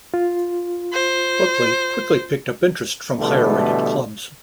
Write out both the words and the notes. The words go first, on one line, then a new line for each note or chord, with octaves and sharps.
Buckley quickly picked up interest from higher-rated clubs.
F4
C5
B2 D3 E3 G3 A3